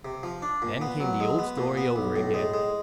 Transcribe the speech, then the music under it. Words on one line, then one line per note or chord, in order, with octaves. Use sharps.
Then came the old story over again.
C3
F3
D4
A#2
B3
F#3
G#3
B3
A#2
B3
B1
A2
G#3
G#3